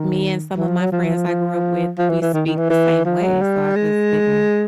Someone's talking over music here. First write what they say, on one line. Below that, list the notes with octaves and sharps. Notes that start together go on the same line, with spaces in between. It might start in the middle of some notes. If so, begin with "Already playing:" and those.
me and some of my friends I grew up with, we speak the same way, so I just didn't
Already playing: D#3
E3
F3
F#3
F3
E3
F3
F3
F3
E3
E3
D#3
D#3
E3
E3
F3
F#3
G3
G#3